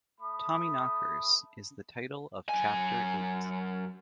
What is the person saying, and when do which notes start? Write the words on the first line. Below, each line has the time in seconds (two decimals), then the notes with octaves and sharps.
"Tommy-knockers" is the title of chapter eight.
0.20 A3 B5 D#6
2.49 F#2 G#5